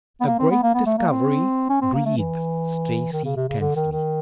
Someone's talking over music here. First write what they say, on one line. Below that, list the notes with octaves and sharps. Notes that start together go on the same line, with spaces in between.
"A great discovery," breathed Stacy tensely.
B3
A#3
C4
B3
A#3
B3
A3
A#3
C4
C#4
C4
A#3
A3
E3
D#3
C#3
C3
C#3
D3
D#3
D#3